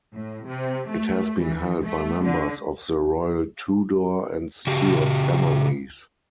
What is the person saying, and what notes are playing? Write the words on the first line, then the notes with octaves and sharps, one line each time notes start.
It has been held by members of the royal Tudor and Stuart families.
A2
C3
A3
E3
A3
D3
C#3 F#4 G4